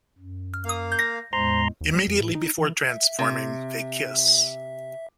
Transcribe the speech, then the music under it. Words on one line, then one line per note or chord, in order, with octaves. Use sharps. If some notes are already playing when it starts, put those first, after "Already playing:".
Immediately before transforming, they kiss.
F#2
A#3 F5
E2 A2 G#3 C5 A#5 C6
D#2
G3
F2
A2
D#4
E3
E5
C3